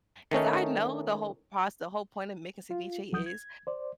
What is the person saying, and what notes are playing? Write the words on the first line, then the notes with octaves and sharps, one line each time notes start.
'cause I know the whole proc the whole point of making ceviche is,
D#3 A3 C#4 D#4
F4
C2 F3 F#3 F#5 D#6 G6
G#6
C5 D5